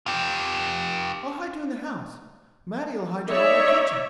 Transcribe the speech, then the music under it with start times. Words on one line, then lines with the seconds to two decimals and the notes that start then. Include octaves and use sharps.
I'll hide you in the house--Matty'll hide you over the kitchen.
0.06 F4 G4
3.28 D#4 C#5 D5 E5